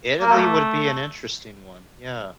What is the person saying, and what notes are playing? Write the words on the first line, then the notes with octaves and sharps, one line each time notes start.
Italy would be an interesting one, yeah.
A#3
A3